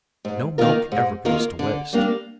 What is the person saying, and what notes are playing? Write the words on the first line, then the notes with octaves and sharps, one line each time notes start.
No milk ever goes to waste.
G#2
D#3 A#3 F4 A#4
G#2
D#3 A#3 F4 A#4
D3
G3 A#3 D4